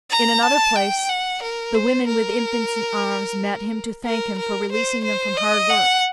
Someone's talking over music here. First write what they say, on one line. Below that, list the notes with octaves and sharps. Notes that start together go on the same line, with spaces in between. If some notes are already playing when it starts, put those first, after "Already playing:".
In another place the women with infants in arms met him to thank him for releasing them from hard work.
A#5
A5
G5
F#5
A#4
C5
A#4
A#4
A#4
C5
C5
D#5
F#5